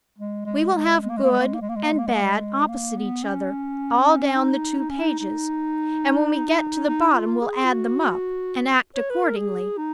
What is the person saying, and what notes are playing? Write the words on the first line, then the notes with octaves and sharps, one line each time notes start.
We will have 'Good' and 'Bad' opposite each other, all down the two pages; and when we get to the bottom, we'll add them up, and act accordingly.
G#3
G#3
G#3
G#3
A#3
G#3
A#3
G#3
A#3
G#3
A#3
G#3
A#3
G#3
A#3
G#3
A#3
G#3
A#3
G#3
A#3
B3
C#4
D#4
D#4
C#4
D#4
D#4
D#4
F4
G#4
F4
F#4
C#5
B4
A#4
G#4
D#4